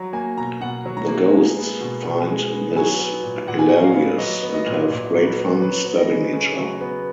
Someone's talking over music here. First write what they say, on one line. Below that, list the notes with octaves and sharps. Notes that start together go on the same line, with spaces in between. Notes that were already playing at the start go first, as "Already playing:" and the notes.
The Ghosts find this hilarious, and have great fun stabbing each other.
Already playing: F#3 A#5
A#3 G#5
B2 A#5
B2 F#5
F#3
A#5
A#3
G#3
B3
B2
B2
G#3
B3
F#3 G#5
B3
A#2
A#2 F#5
G#5
F#3 F#5
F5
B3
F#3 D#5
B3
D#5
A#2
A#2
F#3
B4
B3
F#3 B4
B3
D#5
C#3
C#3
F#3
B3